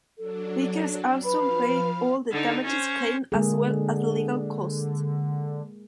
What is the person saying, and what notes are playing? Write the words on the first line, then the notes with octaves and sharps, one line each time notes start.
Vickers Armstrong paid all of the damages claimed as well as the legal costs.
F#3 D4 A4
F3 B4 F5 B5
D3 D#4
C#4 C5
D3 G#3 A#3 G#4